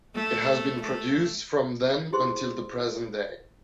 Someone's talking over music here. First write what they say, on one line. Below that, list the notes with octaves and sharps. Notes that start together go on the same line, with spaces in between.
It has been produced from then until the present day.
A3
A3
E4 G4 G#4 C5 C6